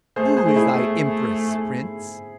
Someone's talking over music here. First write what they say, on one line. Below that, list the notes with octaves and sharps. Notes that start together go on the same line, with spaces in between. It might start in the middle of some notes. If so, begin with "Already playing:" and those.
Who is thy Empress, Prince?
A3 G#4 C5
G#4 C5
A3
E4 G#4
A3
A3